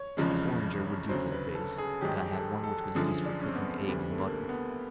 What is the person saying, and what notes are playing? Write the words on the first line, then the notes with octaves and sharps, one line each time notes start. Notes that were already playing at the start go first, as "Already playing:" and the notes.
A porringer would do for the vase, and I had one which was used for cooking eggs in butter.
Already playing: C#5
F1 E2 C#3 F3 G#3
D2 C#3 F#3 C5
B4
A4
G#4
A#1 G#2 D#3 F#3 G4
A4
A4
F#2 D3 F3 G#4
D4
C#4
C4
B3
D2 D3 G3
A3
A#3
B3